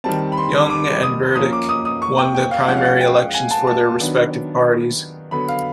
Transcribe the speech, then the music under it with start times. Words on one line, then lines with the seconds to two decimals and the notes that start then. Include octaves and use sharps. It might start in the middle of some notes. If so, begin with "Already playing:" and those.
Young and Burdick won the primary elections for their respective parties.
0.04 D#3 G3 C4 A5
0.32 B5
0.37 C6
0.70 D6
1.03 D#6
1.36 F3 A#3 C#4 D#6
1.53 D6
1.69 D#6
1.85 D#6
2.02 C#6
2.18 G5
2.35 G5
2.51 F5
2.68 F3 G#3 C#4 F#5
2.77 F5
2.86 F#5
3.01 G5
3.34 G#5
3.51 A5
3.67 A5
4.00 D#3 F#3 B3 D4
5.31 D3 F#3 B3 B5
5.48 F5